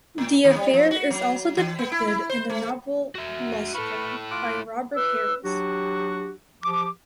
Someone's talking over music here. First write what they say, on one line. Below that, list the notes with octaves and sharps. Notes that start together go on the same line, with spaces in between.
The affair is also depicted in the novel "Lustrum" by Robert Harris.
A2
D#2
G3
F3
F#4
F#3
E3
B3
E4
E4
C5
A3
F#4 E5
E4 A4 B4 C#6 F6
F4 D6 F#6
B4 E6
F#3 D4 F#4 G4
F3 G4 D6